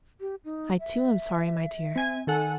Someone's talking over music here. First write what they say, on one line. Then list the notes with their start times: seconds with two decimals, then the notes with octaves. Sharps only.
'I too, am sorry, my dear.
0.21 G4
0.45 D#4
0.80 E5
1.96 C4 G#5 G#6
2.27 D#3 A4 F#5 G#5